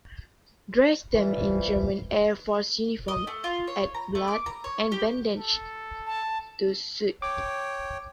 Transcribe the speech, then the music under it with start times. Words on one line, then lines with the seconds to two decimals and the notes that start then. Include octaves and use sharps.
Dress them in German Air Force uniform, add blood and bandages to suit.
1.15 E3 F3 G3
3.08 D#5
3.27 A3
3.44 F4
3.67 C#5
3.95 A#5
4.15 A3
4.28 D6
4.46 A#5
4.64 C#5
4.92 G4
5.38 A4
6.06 A5
7.22 C#5 G5 D6